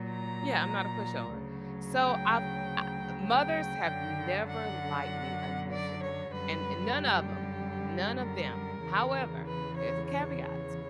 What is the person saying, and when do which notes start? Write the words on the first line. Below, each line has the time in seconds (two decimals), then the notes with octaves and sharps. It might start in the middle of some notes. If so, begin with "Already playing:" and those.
Yeah, I'm not a pushover. So, I f I mothers have never liked me initially, and and none of 'em, none of them. However, there's a caveat
Already playing: A#2 F#3
0.10 A#5
1.34 D2 C#3 F#3
1.97 G5
3.22 G5
3.84 F#2 D3 F#3
4.46 F#5
5.71 D5
6.02 C#5
6.33 F#2 D3 G3 B4
6.96 G4
8.20 A#4
8.83 E2 C#3 E3
9.46 B4
9.76 C#5
10.08 C#5